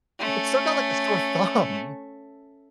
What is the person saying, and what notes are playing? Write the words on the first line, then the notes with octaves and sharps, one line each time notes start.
It stuck out like a sore thumb.
A3 C#4